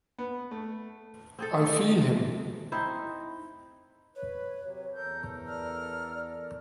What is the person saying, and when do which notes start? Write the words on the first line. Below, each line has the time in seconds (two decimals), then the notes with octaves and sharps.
I feel him!
0.18 B3
0.51 A3
1.39 C4 G#4 A4
1.58 A3
1.74 G#3 A3
2.72 C4 D#4 E4 C5
4.16 B4 C#5
4.61 C3 F#3
4.94 E2 A4 A#4 G6
5.48 D5 F6